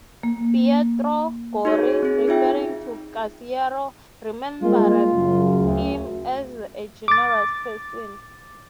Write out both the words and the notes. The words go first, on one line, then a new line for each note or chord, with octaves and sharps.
Pietro Gori, referring to Caserio, remembered him as a generous person.
A#3
D#4 F#4 G#4 C#5
C4 G#4
D#4 F4 E5 G5
G3 G#3 A#3 F4
F#2 C#3
D2
D6 A6